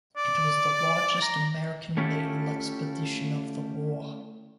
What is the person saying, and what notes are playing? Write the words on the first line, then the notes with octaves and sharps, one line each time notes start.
It was the largest American naval expedition of the war.
D5
A#5
A3 C#4 E4 F4 G4 A4